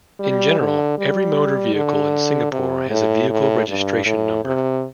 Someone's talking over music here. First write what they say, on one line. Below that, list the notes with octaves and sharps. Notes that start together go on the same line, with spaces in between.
In general, every motor vehicle in Singapore has a vehicle registration number.
G3
D3
G3
D3
C3
A2
A2
G2
A2
C3